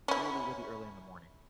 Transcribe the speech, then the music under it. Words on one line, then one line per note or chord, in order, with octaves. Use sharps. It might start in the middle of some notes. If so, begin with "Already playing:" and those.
really, really early in the morning,
C#4 E4